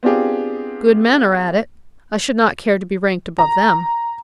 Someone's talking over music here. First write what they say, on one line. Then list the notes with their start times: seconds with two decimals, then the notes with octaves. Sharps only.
"Good men are at it; I should not care to be ranked above them."
0.03 B3 C4 D4 F4 G4 G#4
3.38 A#5